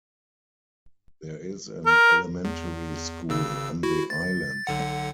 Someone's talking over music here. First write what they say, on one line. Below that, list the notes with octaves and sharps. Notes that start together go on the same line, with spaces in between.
There is an elementary school on the island.
A#4
E2
E2
G#1 C#3 E6
E4 F#4
A6
B1 D3 F#5